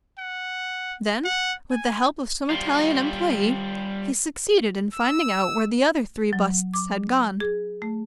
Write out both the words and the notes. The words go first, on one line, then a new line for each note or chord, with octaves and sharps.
Then, with the help of some Italian employee, he succeeded in finding out where the other three busts had gone.
F#5
F#5
G#5
G3 F4
E6
F#3
D6
G#4
A3